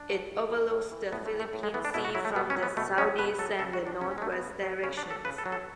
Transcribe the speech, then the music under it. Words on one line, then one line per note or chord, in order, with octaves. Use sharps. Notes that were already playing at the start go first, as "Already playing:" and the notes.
It overlooks the Philippine Sea from the southeast and the north-west directions.
Already playing: D4
F#3
A2
E3
A2
E3
A2 B3
A3
E3
A3
A2
G#3
E3 B3
D4
B2 E4
F#4
F#3 E4
A3
B2 B3
C#4
F#3
B3
B2 A3
F#3 C#4
B2 B4
F#3 A4
C#3 A4
F#4
F#3
D4
C#3 C#4
C#4
G#3
F#3 A3
B3
C#3
F#3
C#3 C#4
D4
F#3
A4
C#3 B4
A4
F#3
A4